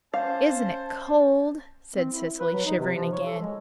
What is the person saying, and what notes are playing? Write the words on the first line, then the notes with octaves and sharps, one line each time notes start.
"Isn't it cold?" said Cecily, shivering again.
C#4 C5 F5 A5
C4
E4
B4
F#3
D#4
C3
F3
C#5
A4
G#3